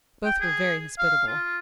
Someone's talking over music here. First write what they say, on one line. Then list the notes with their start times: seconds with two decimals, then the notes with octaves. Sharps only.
Both were very hospitable.
0.25 G5
0.41 G#4
0.99 F5
1.28 F4